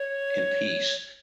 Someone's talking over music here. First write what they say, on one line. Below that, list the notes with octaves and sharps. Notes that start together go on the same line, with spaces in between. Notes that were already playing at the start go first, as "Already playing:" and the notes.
and peace.
Already playing: C#5